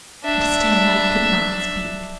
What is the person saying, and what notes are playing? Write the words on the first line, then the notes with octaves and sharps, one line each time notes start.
And still I could not speak.
D4 E5